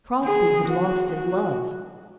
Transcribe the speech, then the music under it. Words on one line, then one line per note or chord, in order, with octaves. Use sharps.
Crosbie had lost his love!
G#4
F#4
F#4